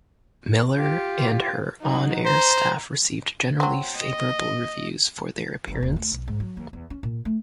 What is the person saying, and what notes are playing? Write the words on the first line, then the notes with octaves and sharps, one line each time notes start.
Miller and her on-air staff received generally favorable reviews for their appearance.
F4 G4
F#3 D#4
C5 A#5
F#3 C4
D#5
G1
D#1
D2
B1
G#2
F#3
D#2
E2
C#4
A#2
A3